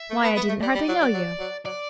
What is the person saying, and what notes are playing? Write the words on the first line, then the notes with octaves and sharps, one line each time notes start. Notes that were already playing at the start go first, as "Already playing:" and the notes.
"Why, I didn't hardly know you!"
Already playing: E5
A3
B3
B3
A3
G3 D5
G3
F#3
F#3
F#3
F#3
F#3 D5